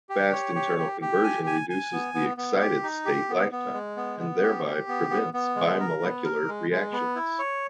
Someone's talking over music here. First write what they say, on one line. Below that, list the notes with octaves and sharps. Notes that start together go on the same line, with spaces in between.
Fast internal conversion reduces the excited state lifetime, and thereby prevents bimolecular reactions.
G4
C#5
G4
G4
G4
G#5
G#5
G#5
B3
B3
B3
G4
D#4
G4
B3
B3
G#3
B3
B3
G4
G4
B3
B3
B3
G#3
A#4
B3
A#4
G#3
G#3
B3
E4
C#5